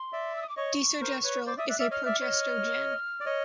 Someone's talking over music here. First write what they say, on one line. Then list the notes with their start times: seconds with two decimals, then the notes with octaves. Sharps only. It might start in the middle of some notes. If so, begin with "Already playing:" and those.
Desogestrel is a progestogen.
Already playing: C6
0.13 D5 E5
0.35 E6
0.42 D#6
0.49 D6
0.57 C#5 D#5 C#6
1.01 A#4 C5
1.24 B4 C#5
1.46 C5 D5 D6
1.57 D5 E5 D#6
1.68 D5 E5 F#6
1.79 D5 E5 F6
1.91 C#5 D#5 F6
2.06 D5 E5
2.20 C#5 D#5
3.20 D5
3.26 C#5 D#5